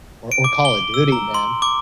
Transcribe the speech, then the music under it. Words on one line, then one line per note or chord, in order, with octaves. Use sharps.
or or Call of Duty, man.
D7
D6
G7
E6
A#5
C6
D6